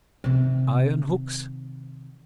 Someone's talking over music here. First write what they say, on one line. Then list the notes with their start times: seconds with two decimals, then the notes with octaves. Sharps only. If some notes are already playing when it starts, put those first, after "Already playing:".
Iron hooks?
0.24 C3 D#3